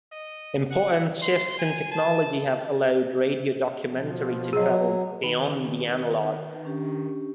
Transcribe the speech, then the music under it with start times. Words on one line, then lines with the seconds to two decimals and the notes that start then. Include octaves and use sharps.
Important shifts in technology have allowed radio documentary to travel beyond the analog.
0.12 D#5
0.71 F#5
1.22 C6
1.59 G#5
1.91 A5
3.90 B2 F3
4.53 F#3 G#4 D#5
5.23 D#3 B4
6.65 C#4 D4 G4